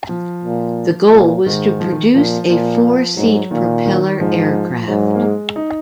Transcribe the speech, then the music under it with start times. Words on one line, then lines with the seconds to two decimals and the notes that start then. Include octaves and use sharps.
The goal was to produce a four-seat propeller aircraft.
0.09 F3
0.44 A#2
1.13 A#2
1.46 G#2 D#3
1.80 F3
1.92 D#3
2.14 A#2 F3
2.49 A#2 F3
3.17 G#2 F#3
3.51 A#2 D#3
3.85 D#3
4.19 G#2 F3
4.87 G#2 F#3
5.15 A#3
5.22 G#3
5.56 D#4